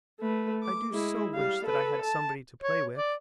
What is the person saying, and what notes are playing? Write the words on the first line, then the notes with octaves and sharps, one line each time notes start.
I do so wish that I had somebody to play with.
A3 B4
D6
G#3 E4
G3 F5
A4 B4
A5
C#5
D5